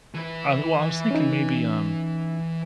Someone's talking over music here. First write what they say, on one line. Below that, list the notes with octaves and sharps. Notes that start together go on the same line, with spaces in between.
I well, I was thinking maybe, um,
E3 B4
C#4 D#4